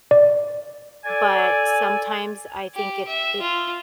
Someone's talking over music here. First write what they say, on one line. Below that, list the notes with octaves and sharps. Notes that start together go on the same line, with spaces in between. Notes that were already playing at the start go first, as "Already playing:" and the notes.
but sometimes I think it it
D5
A4 D5 G#5
G4
E5
F4